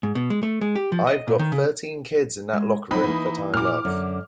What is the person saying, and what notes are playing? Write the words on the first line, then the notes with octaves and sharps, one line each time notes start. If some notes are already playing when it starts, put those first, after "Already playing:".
I've got thirteen kids in that locker room that I love.
G#2
B2
G#3
A3
G#3
G4
F3
D#5
A#2
D#3
C#3
G#3
F#3 C4 D#4 B5
E3 A#3
A#2 A#3 D6 F6
F#2 D3